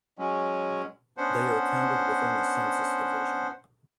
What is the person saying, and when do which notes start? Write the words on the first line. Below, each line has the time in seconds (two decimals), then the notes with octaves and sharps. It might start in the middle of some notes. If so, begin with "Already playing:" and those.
They are counted within the census division.
0.18 F#3 G#3 C#4
1.17 B3 C#4 D4 C5 F#5